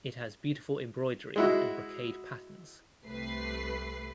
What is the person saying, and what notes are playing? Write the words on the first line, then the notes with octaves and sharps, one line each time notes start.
It has beautiful embroidery and brocade patterns.
G#3 E4 F#4
C2 C3 A3 B4 C7